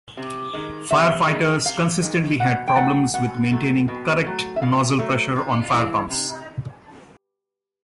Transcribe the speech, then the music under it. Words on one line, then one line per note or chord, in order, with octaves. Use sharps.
Firefighters consistently had problems with maintaining correct nozzle pressure on fire pumps.
C3
D#3 G#3
C3 E5
D#3 G#3
C3 F5
D#3 G#3
B2 F#5
G5
F#3 A3 F#5
B2 F#5
F#3 A3
B2
F#3 A3
E5
B2 F5
F#3 A3
C3
E3 G#3
C3